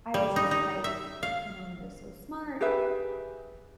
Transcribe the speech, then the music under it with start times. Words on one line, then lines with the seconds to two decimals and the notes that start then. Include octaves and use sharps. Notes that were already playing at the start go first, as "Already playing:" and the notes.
I was just like, you know, "You're so smart"
0.14 G3
0.36 D#4
0.51 D#4
0.84 E5
1.23 F5
2.61 G4 G#4 B4 E5